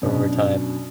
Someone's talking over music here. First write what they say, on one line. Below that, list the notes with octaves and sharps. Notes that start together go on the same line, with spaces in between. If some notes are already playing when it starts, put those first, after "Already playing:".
over time.
F#2 B2 D4